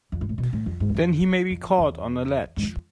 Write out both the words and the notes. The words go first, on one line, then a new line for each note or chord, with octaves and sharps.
Then he may be caught on a ledge!
F2
G#2
A2
B2
A2
F2
G#2
E2
F2
F2
E2
G#2
F2